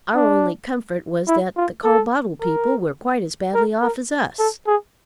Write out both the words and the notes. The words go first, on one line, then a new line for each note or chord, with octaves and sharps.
Our only comfort was that the Carbottle people were quite as badly off as us.
D4
E4
F4
A4
A#4
A#4
A#4
A4
G#4